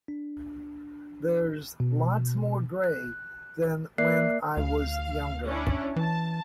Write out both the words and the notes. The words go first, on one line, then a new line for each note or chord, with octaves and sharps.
There's lots more grey than when I was younger.
D4
B2
F#6
A#3 A#4 D5 E5 F#6 C7
D2 F5
C#4 D4 E4
E3 A5